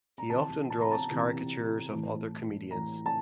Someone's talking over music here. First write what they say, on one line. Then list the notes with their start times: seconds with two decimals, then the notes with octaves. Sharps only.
He often draws caricatures of other comedians.
0.18 A#5
0.30 C3 E3 A5
0.70 A5
0.81 A#5
0.91 A5
1.11 C3 E3
1.90 A2 E3
2.71 A2 E3 A#5
3.06 A5